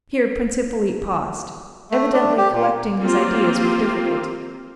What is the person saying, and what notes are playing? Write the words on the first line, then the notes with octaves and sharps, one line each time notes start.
Here Prince Hippolyte paused, evidently collecting his ideas with difficulty.
A3
D4
G4
A#2
A#3 C4 F4 G4